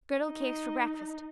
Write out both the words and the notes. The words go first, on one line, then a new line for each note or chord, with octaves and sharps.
Gridel cakes for brekfast.
D#4